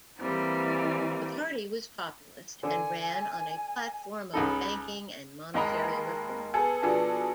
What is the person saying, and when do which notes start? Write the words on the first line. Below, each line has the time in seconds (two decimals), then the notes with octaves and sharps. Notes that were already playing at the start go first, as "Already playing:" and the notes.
The party was populist and ran on a platform of banking and monetary reform.
0.18 E3 G3 A#3 C4
2.63 D3 G#5
4.34 C#2 D#4 A4 B5
5.54 D#2 G#3 D#5 A#5 B5
6.54 B3 G#4 A4
6.82 B2 F3 B3 D4 G#4 A4